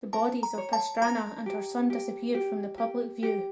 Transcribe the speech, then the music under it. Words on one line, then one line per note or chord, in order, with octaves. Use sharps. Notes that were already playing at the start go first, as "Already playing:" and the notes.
The bodies of Pastrana and her son disappeared from the public view.
A#4 A5
A#5
C#5
A5
A#4 A#5
G4
G4
G4
G4
G4